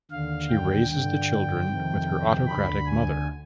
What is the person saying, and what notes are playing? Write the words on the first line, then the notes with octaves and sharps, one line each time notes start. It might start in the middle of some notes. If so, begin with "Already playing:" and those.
She raises the children with her autocratic mother.
D#2 D3 F5
G5
G2 D3 G5
F2 C3 D#3
D2 D3 B5
G#5